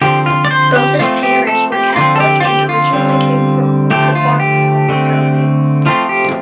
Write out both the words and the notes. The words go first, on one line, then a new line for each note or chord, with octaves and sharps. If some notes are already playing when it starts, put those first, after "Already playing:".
Both his parents were Catholic and originally came from the far south of Germany.
D3 F3 C4 G4
F4
D5
C5
G4
F3 A3 C4 F4
G4
A4
G4
D3 F3 C4 F4
A4
G4
F4
G4
F4
D3 G3 C4
D3 F3 A3 G4
F4
G4
D3 A3 C4
F3 A3 C4 F4
G4